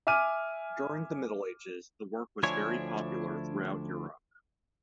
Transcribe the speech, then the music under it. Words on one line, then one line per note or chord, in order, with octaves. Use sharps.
During the Middle Ages the work was very popular throughout Europe.
E5 G#5 D6 F6 D#7
D2 F3 D4 E4 C#5 G#5